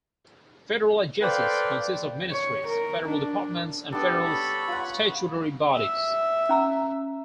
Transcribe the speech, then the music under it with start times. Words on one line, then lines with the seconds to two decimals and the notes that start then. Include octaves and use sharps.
Federal agencies consist of Ministries, Federal Departments and Federal Statutory Bodies.
1.22 A4 B4 C5 D5 F5 G5
2.31 C#5
2.66 A#4
3.08 D4
3.92 G3 B3 D4 A4 B4
4.25 C#5 B5
4.68 F4 F#5
5.75 E5
6.49 C#4 A#5 E6